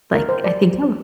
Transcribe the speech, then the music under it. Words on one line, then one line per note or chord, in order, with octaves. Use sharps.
like, I think I would
A#4
C5
D5